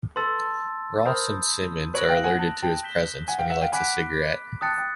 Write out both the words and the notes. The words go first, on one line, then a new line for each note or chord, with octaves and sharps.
Ross and Simmonds are alerted to his presence when he lights a cigarette.
A4 B4 A5 C6 E6 A6
A#4 C5 B5 D#6 G6
B4 C#5 F#6 A#6 D7 F#7
F5 G5
F#5 G#5
A5
G5 A5
G6 B6 E7 G7
F#5 G#5
F5 G5
E5 F#5
F5 G5
F#5 G#5 B5 D6 F#6 B6 D7
G5 A5 D#6 F#6 A6 C#7
G5